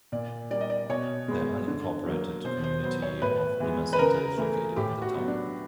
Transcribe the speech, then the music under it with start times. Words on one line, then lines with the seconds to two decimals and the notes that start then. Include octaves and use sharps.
The unincorporated community of Lima Center is located in the town.
0.12 A#2 D5
0.51 G3 A#3 D5
0.61 D#5
0.70 D5
0.89 B2 C#5
1.28 G#3 B3
1.68 D3
2.06 F#3 A#3
2.44 B2 C5
2.64 C5
2.83 F#3 B3 C5
3.02 C#5
3.22 A2 B4
3.60 E3 G#3 B3
3.93 B4
3.99 C#3 A#4
4.37 E3 A3
4.76 A2 G4
5.02 F#4
5.15 F#3 B3
5.28 D4